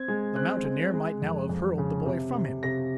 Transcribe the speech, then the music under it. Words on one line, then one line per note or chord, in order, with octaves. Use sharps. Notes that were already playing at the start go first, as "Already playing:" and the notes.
The mountaineer might now have hurled the boy from him.
Already playing: C4 G#6
G#3
C4 F#6
G#3
G#3
F2
F2
C#3
C3
C3
C3 A#6